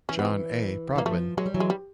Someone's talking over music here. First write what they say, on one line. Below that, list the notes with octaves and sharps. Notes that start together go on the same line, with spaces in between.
John A. Broadwin.
E3 C#4
B3
C4
E3 A#3
F3 A3
F#3 G#3
G3
E3 F#3
G#3
G3